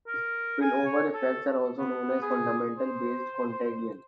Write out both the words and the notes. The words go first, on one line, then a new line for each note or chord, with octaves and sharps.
Spillover effects are also known as fundamental-based contagion.
A#4
G#5
C#5
A4
B3
G#4
C5